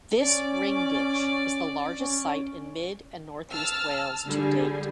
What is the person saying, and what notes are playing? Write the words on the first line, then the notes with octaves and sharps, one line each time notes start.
This ring ditch is the largest site in mid and northeast Wales to date.
C#4 D5
C#4
A5 E6 F6
D3 G3 G#4